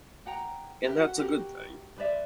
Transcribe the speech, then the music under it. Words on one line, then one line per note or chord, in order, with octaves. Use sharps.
And that's a good thing.
F#5 G5 A#5
G4 A#4 B4 E5
F#4 F#5
F#4 G4 A#4
B4 C5 D5 E5